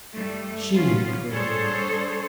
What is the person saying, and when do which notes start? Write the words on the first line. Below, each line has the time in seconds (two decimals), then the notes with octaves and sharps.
She had created him.
0.15 G2 G3 A3
0.74 B3 C#4 F4
1.31 G3 D4 G#4 A4 C5 C#5